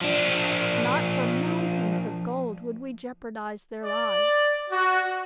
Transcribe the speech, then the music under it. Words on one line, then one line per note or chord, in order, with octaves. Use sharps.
Not for mountains of gold would we jeopardize their lives.
F3 D4
D5
F#4